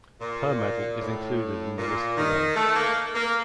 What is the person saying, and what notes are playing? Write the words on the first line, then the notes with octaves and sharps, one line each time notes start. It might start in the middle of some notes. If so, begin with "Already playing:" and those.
Her medal is included in the list below.
A#2
A2
A#2
D#3
A3
A#3
A#3